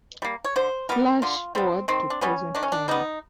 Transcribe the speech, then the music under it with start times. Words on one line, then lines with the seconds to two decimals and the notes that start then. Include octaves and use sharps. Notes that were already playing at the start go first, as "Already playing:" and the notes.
Flash forward to present times.
0.22 G3 A#3
0.44 C#5
0.56 D3 C5
0.89 G3 B3 A#4
1.22 D3 F4
1.55 G3 B3 C4
1.88 D#3 C4
2.10 D4
2.21 G3 B3 C#4
2.55 D#3 D4
2.63 C#4
2.72 D4
2.88 G3 B3 D#4